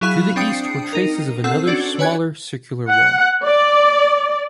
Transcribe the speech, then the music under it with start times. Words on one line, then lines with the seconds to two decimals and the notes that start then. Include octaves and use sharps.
To the east were traces of another, smaller circular wall.
0.01 F#3 E4 G#4 F5 B5 F#6
0.36 C4 D4 G5 D#6 C7 C#7
0.93 D#4 A#4
1.44 C4 A4 F#5 E6
1.67 C#4 D4 F#4 D5
1.99 B4 C#5 G#5 F#6 G#6
2.90 F#5
3.44 D5